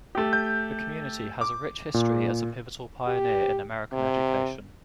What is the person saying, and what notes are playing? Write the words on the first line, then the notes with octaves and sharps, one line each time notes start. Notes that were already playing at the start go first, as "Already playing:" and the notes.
The community has a rich history as a pivotal pioneer in American education.
A3 G4
G6
D6
A#2
G4
C3